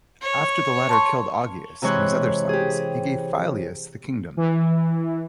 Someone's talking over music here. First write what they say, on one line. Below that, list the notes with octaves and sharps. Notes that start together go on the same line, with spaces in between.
After the latter killed Augeas and his other sons, he gave Phyleus the kingdom.
C#5
A5 C6 C#6
C3 E3 G#3 C#5 C6 F#6
G4 G#4
E3